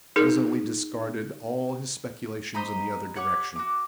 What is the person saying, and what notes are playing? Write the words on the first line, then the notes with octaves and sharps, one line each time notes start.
He presently discarded all his speculations in the other direction.
D#4 G#4 A#4
C5 D#5 A#5 B5
G4 C#5 F#5
F#4 D6